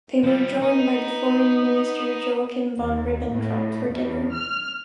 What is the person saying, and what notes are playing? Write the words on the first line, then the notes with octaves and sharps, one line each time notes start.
They were joined by the Foreign Minister Joachim von Ribbentrop for dinner.
F3 G3
B3 D#4
D#2
A2
E2
F6